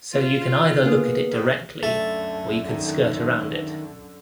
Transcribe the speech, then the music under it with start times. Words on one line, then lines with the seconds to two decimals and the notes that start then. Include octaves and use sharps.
So you can either look at it directly or you can skirt around it.
0.14 F4
0.83 A#3 B3 G#4
1.31 G#2 D#3
1.83 F#2 D3 A3 A5
2.69 D#3